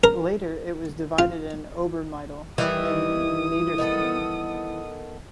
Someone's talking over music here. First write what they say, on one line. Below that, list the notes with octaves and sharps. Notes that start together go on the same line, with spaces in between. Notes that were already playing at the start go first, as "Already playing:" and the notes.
Later it was divided in Ober-, Mittel- and Niederstedten.
A#4
F4
D#3 E3 G3 E4 D#6
D#3 B3 A4